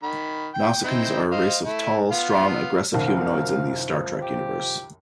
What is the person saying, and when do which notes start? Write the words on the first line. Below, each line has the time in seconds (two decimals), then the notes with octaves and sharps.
Nausicaans are a race of tall, strong, aggressive humanoids in the "Star Trek" universe.
0.03 D#3 B5
0.54 G5
0.84 C4 D#4 E4
1.32 C5 D#5 F5
1.65 A3 E4
2.11 B3 F4 F5
2.94 C2 F#2 D#3 F3 F5
4.22 G4